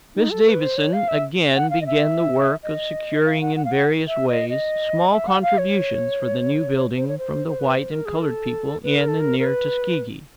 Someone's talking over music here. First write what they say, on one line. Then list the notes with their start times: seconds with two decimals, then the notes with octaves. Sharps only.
Miss Davidson again began the work of securing in various ways small contributions for the new building from the white and coloured people in and near Tuskegee.
0.16 D#4
0.31 A4
0.47 B4
0.61 C5
0.77 C#5
0.93 F5
1.08 E5
1.56 F#5
1.70 F5
1.82 D#5
1.86 E5
2.63 D#5
3.25 F5
3.41 F#5
3.56 F#5
3.65 F5
3.72 F#5
4.08 E5
4.29 D#5
4.49 D#5
5.12 E5
5.27 F#5
5.42 F5
5.58 C#5
6.97 C5
7.08 C#5
7.18 C5
7.48 C5
7.60 B4
7.75 C5
7.91 A#4
8.06 G#4
8.17 A#4
8.22 A4
8.83 B4
8.96 A#4
9.08 A4
9.20 A#4
9.39 A#4
9.46 B4